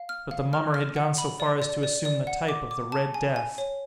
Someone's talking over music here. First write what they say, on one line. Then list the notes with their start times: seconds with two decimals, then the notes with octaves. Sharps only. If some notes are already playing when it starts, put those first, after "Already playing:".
But the mummer had gone so far as to assume the type of the Red Death.
Already playing: F5
0.09 F6
0.31 F5
0.53 F6
0.74 F6
0.96 F#5
1.18 B5
1.40 D5
1.62 D5
1.83 D5
2.05 D5
2.27 F#5
2.49 D6
2.71 D6
2.92 A5
3.14 G#5
3.36 G#5
3.58 C#5